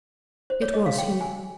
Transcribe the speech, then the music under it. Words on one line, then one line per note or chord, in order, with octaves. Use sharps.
It was he.
C5
C#5
D#5
F5
G5
G#5